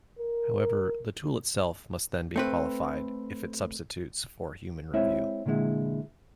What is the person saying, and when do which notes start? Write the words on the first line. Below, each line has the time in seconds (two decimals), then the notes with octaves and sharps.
However, the tool itself must then be qualified if it substitutes for human review.
0.19 A#4
2.36 A3 C4 B4
4.93 G#3 C4 E4 C#5 E5
5.46 A#2 D3 E3 G#3 E4